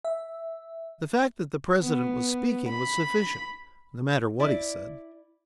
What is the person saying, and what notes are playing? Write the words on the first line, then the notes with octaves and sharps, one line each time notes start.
The fact that the President was speaking was sufficient, no matter what he said.
E5
B3
B5
E4 D5